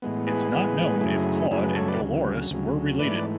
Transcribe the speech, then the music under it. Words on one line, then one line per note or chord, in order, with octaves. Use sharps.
It's not known if Claude and Dolores were related.
A2 E3 G#3 B3
G#4 B4
A2 E3 G#3 B3
F#2 C#3 F#3 A3 E4 G#4
F#2 C#3 F#3 A3 E4 G#4
G#4 B4
A4 C#5
B4 D5
D2 C#3 F#3
D2 C#3 F#3
G#2 E3 A3 B4 D5
B4